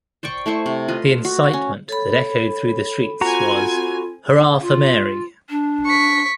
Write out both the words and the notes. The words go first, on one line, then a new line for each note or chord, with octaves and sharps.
The incitement that echoed through the streets was: Hurrah for Mary!
C5 D5 G5 C#6
A3 E4 C5 C#6
C3
F4 B4 D#5
F#4
C#4
A4 C#5 B5
C4 F4 F#4 F#5 G#5 A#5
F4
D4
C#6 B6